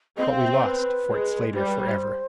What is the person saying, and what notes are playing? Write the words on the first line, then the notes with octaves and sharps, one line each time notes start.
But we lost Fort Slatter forever.
C4 D#5
F5
E5
E5
B4
G#3
G3 C5
B4
C5